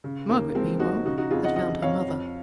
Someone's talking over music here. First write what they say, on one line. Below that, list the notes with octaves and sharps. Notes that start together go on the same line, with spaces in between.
Margaret meanwhile had found her mother.
C#3
D#2 A#3
F3 G#3 C4
D#2 D#4 F#4
C#3 D#4 F#4
D#4 F#4
F2 F4 G#4
D#5 F#5
F3 D#5 F#5
F2 C#5 F5
F2